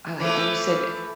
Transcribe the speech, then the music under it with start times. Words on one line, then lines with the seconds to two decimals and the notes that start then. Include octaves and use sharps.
I like and you said
0.20 E3 F3 A3